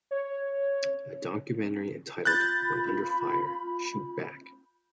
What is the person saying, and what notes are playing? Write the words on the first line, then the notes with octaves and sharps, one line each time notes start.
A documentary entitled When Under Fire: Shoot Back!
C#5
F4 B5 F#6 G6 A6